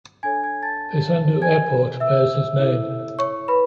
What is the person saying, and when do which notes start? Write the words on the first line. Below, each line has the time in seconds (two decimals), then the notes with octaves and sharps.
Paysandú Airport bears his name.
0.23 D4 A4 C#5 G#5 G#6
0.43 G#5 G#6
0.62 A5 A6
1.42 G#5 G#6
2.00 E5 E6
2.59 E4 A4 C#5
3.19 C#5 C#6
3.48 B4 B5